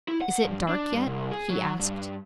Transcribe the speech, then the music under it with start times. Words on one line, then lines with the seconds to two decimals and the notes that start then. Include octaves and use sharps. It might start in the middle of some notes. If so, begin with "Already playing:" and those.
'Is it dark yet?' he asked.
0.08 E4
0.21 F#5
0.44 G2
0.69 D4
0.93 G2
1.06 C2
1.31 G#4
1.50 F#3
1.79 G2